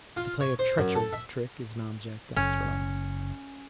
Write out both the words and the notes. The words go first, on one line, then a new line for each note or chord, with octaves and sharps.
To play a treacherous trick is an object after all.
F4
C#5
C5
F#2
A4
E5
F#1 C#4